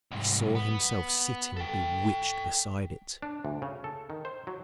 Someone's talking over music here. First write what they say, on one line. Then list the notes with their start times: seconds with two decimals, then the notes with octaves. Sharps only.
He saw himself sitting bewitched beside it.
0.11 C2 G#2
0.55 B3
1.57 A4 G5
3.22 D4
3.45 D2
3.62 C#3
3.84 A4
4.10 D#3
4.25 C5
4.47 F#3